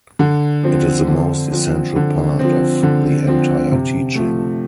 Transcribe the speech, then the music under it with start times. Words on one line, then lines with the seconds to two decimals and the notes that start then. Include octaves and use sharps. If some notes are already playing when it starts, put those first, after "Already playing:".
It is the most essential part of the entire teaching.
0.19 D3
0.63 F3 C4
1.08 D3
1.52 F3 C4
1.96 D3
2.39 F3 C4
2.83 D3
3.27 F3 C4
3.72 C3
4.15 F3 A3